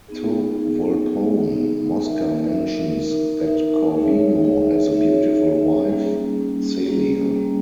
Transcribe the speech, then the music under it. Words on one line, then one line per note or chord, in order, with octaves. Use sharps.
To Volpone, Mosca mentions that Corvino has a beautiful wife, Celia.
B3 D#4 G#4
B3 D#4 G#4
B3 D#4 G#4
B3 D#4 G#4
D#4 A#4 E5
D#4 A#4 E5
D#4 A#4 E5
D#4 A#4 E5
D#4 G#4 C#5 E5
D#4 G#4 C#5 E5
D#4 G#4 C#5 E5
D#4 G#4 C#5 E5
G3 A#3 C#4 G#4
G3 A#3 C#4 G#4
G3 A#3 C#4 G#4
G3 A#3 C#4 G#4